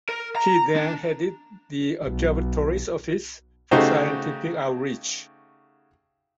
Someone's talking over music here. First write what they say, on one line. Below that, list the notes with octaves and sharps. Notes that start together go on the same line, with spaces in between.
He then headed the Observatory’s office for scientific outreach.
A#4
A#5
D4
B1
C#3 A3 D#4 F#4 G4 C5